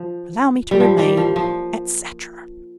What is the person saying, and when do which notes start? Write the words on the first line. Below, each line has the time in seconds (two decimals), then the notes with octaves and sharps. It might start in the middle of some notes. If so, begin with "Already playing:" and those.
Allow me to remain, etc.
Already playing: F3
0.71 G3
0.80 F3
0.98 G3 A#3
1.17 F3
1.36 F3